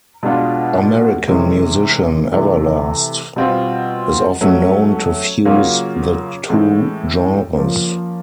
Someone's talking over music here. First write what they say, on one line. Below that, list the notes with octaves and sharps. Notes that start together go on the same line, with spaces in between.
American musician Everlast is often known to fuse the two genres.
B2 G#3 B3 D4 F4
C3 E3 G#3 C#4
C3 E3 A3
B2 G3 C4 F4
F#3 A3 C#4
C#3 F#3 A#3 C#4 F4
A2 E3 G#3 C#4 E4
F3 A#3 C#4